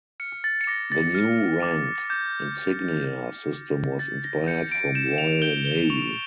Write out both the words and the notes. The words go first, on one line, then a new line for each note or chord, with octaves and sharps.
The new rank insignia system was inspired from Royal Navy.
F6 C#7
A6
C#7
D6 A#6
A6
F6
D6
D6 G6
D6
G6
D6
G6 A6
A#6
G6 C#7
D7
G6 E7
F7
G6 G7
G7
C#6 F7